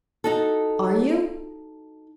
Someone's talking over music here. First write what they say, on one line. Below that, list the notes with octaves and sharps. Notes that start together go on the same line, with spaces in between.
"Are you?"
D#4 F#4 A4